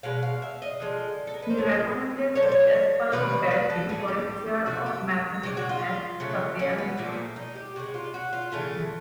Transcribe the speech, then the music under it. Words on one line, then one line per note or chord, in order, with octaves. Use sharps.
He recommended Gasparo Berti for a chair of mathematics at Sapienza.
B2 G#3 F5
F5
E5
D#5
D3 F3 G#3
A4
A#4
B4
C5
A#2 F3 A3 C#5
C5
D3 F#3 A3 C#5
C5
C#5
C3 D#3 G3 B4
B4
A4
A2 E3 A3 G#4
G4
C3 F3 A3 F#4
G4
C#3 F3 G#3 G4
F#4
F4
C#3 F#3 A3
C#4
B3
A#2 F3 A3 A#3
D#4
G4
C3 D#3 G#3 F#4
F4
F#4
F4
C#3 E3 A3 F4